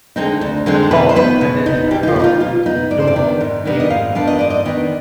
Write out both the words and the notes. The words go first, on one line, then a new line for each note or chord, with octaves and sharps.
Hall attended the prom with Dumond that evening.
D3 G#3 C4 D#4
D2
D3 G#3 C4 D#4
B2 B4
C5
B3 D#4 B4
B2
B3 D#4
B2 G4
D#4
F4
B3
D#4 F4
B2 F4
B3 D#4
G#2 D5
C5
D5
D#3 B3 D4
G#2
D#3 B3 D4
D#5
G#2 F5
D#3 B3 D4 F5
D#5
G#2 D5
D#5
D#3 B3 D4